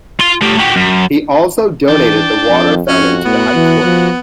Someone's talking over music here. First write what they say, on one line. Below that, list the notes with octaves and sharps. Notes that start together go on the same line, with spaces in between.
He also donated the water fountain to the High court.
F4 C6
A3 G4
F#4 G4
F#2
E3 D4 G5 A5
F2
F2 C#4 F#4
A2 B3
E3
F3